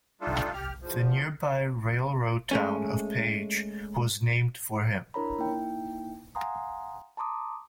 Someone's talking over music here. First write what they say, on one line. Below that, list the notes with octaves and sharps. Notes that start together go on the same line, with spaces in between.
The nearby railroad town of Page was named for him.
G3 A3 D4 D#4 F4 A4
G4 F6
E2 F3
G#3 A3 C#4
D4 E4 A#4 C#5 A#5 B5
A#3 D#4 E4 G5
F5 F#5 G#5 A#5 C6 D#6
A5 A#5 C6 D6 D#6